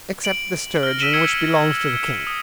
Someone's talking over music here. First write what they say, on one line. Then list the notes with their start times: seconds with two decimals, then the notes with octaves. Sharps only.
"Except the sturgeon, which belongs to the king."
0.24 D7 F#7
0.83 F6 A#6
0.98 E6 B6 D#7 E7 F#7 G7
1.11 E6 G#6 C#7 E7 F#7
1.56 G#6
2.27 D#6